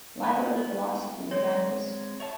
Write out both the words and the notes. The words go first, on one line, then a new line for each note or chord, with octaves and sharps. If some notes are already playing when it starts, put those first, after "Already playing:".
Library Philosophy and Practice.
B3 E4
G#3 C4 C#5
C#5 E5 A5